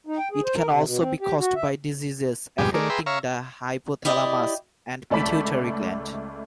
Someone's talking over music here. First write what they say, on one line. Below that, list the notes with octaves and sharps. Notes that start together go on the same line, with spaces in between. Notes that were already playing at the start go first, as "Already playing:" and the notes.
It can also be caused by diseases affecting the hypothalamus and pituitary gland.
D#4
G5
G#4
C5
A#4
C3
B2
C4
G4
F#4
E5
F2 G#2 B2 G3 G4 G#5
D#3 A3 G#4 A#4 D5
G#4 B4 E5 G5 A#5 C6
C#5 E5 F5 A#5
E4 G4 D5 D#5
C#2 A3 D5 A5 B5 B6